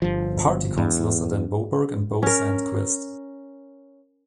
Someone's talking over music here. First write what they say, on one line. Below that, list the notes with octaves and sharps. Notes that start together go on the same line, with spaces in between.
Party councilors are Dan Boberg and Bo Sandquist.
G1 F3
E2
C#4 A#4